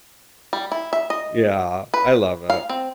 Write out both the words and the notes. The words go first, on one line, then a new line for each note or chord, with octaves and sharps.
Yeah, I love it.
G3
E4
E5
D#5
B4
F5
C4